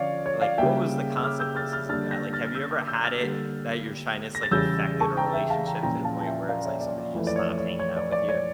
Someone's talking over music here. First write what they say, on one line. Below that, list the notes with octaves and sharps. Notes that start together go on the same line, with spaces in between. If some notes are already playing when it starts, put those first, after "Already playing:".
like, what was the consequences of that? Like, have you ever had it that your shyness, like, affected a relationship to the point where it's like somebody just stopped hanging out with you?
Already playing: D3 F3 C#4 C#5 D5 F5
C#5
D5 F5
C#3 G3 A#3 E5 G5
E6
D6 F6
E6 G6
F6 A6
F6 A6
D3 G3 A#3 D4 F6 A6
G6 A#6
F6 A6
F6
E6 G6
D6 F6
E6 G6
F6 A6
D3 G3 A#3
A#6
A6
E2 C#3 G3 E6 G6
A5 C#6
G5 A#5
E5 G5
F5 A5
G5 A#5
A#2 F3 C#4 E4 G5 A#5
F5 A5
A5
E5 G5
D5 F5
C#5 E5
D5
D5
F2 E3 A3 E4
D5
C#5
D5
C#5
C#5
D5
D5
C#5